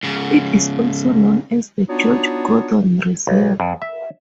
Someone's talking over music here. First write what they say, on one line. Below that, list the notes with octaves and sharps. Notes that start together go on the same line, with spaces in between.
It is also known as the George Gordon Reserve.
G#2 C#3
B3 D4 D#4 F4 F#4 C#5
B1
F2
E5